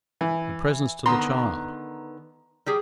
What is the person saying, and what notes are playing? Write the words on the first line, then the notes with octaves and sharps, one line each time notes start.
The presents to the child!
E3
D3 D#3 B3 A#5 C6
G3 G4 G#4